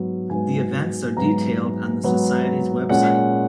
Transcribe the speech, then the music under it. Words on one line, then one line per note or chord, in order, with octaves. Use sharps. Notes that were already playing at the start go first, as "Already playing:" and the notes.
The events are detailed on the society's web site.
Already playing: G#2 F#3 B3
G#2 F#3 B3 G#5
G#2 F#3 B3 A#5
G#2 F#3 B3
A#2 G#3 C#4 F#5